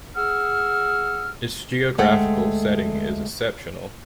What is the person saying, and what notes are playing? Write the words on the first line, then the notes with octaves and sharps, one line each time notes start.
Its geographical setting is exceptional.
G#4 F#5 E6 F6
D2 G#3 A3 F#5 G5